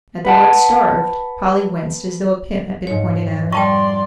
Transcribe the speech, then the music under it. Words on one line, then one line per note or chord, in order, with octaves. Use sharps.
At the word "starved," Polly winced as though a pin had been pointed at her.
B4 F#5 A5
F2 G#2 C#5
G3 D5 G5 A5 C6 C#6